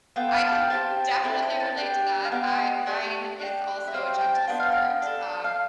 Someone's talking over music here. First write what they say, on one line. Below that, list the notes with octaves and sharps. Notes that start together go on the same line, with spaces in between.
I can definitely relate to that. I mine is also a gentle start, um,
B3 F4 A4 G5
F5
A5
G5
C4 E4 G4 A5
C4 E4 A4 G5
G5
A5
D4 G4 G5
F5
B3 D4 G4 G5
A3 D4 G4
D4 G4
E5
C4 G4 F5
G5
G5
A5
B3 D4 F4 G5
F5
G5
D4 A4
F5